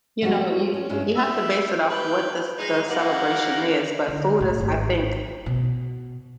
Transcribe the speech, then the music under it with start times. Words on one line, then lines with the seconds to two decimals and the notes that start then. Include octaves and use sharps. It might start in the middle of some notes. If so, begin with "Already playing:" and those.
you know, you you have to base it off what the s the celebration is, but, food is, I think,
0.22 F3 G3 A3 B3 C4 F#4
0.74 C#4
0.89 G2 G#3 C#4 E4
1.16 G3 E5
1.89 B4 G5
2.58 G#3 D#4
2.89 G3 A#3 F#5
4.08 D3
4.40 A2
4.60 G#1
5.46 B2